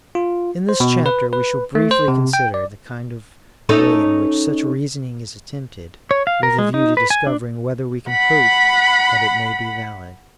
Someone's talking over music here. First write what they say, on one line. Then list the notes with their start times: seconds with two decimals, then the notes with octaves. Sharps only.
In this chapter we shall briefly consider the kind of way in which such reasoning is attempted, with a view to discovering whether we can hope that it may be valid.
0.15 F4
0.69 C5
0.80 B2
1.06 B4
1.33 B4
1.75 A3
1.91 C5
2.08 C3
2.33 G5
2.54 D5
3.69 C#4 D#4 A4
6.11 C#5
6.27 F5
6.43 A#4
6.59 G#3
6.74 D#4
6.97 B4
7.10 G#5
7.27 D4
8.10 F#5 B5